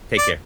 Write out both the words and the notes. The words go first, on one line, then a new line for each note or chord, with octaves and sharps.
Take care.
D5